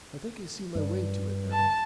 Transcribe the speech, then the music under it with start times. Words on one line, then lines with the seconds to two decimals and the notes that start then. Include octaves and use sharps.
I think I see my way to it now.
0.75 G2
1.52 A5